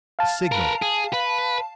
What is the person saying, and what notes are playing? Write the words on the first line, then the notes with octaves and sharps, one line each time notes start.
The signal!
F5 A5
A#4 B4
G#4
B4